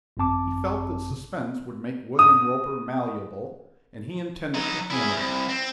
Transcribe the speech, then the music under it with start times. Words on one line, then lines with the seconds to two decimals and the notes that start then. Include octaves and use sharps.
He felt that suspense would make William Roper malleable, and he intended to hammer him.
0.17 G#1 F#2 C4 A5 D6
2.19 D#6
4.55 F#3 D#4
4.91 E4 G#4
5.17 C2
5.49 C4